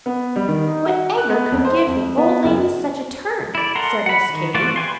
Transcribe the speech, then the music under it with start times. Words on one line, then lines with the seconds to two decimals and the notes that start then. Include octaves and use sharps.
"Whatever could give the old lady such a turn?" said Miss Katy.
0.06 B3
0.36 G3
0.48 D#3
0.68 D#4
0.86 F#4
1.18 F#6
1.30 B3
1.52 F2
1.65 C5
1.87 F2
2.18 B3
2.44 F#1
3.55 E4 D5
3.76 A4 A#4 F#5 A#5 C6
4.06 F#5 B5
4.29 D#3
4.54 E3 A3 F4 F#4 D5
4.76 B4 G5 G#5 C6